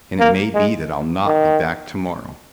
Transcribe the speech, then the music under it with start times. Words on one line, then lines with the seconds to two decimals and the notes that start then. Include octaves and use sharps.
"And it may be that I'll not be back to-morrow."
0.19 A#3
0.54 G#3
1.26 D#3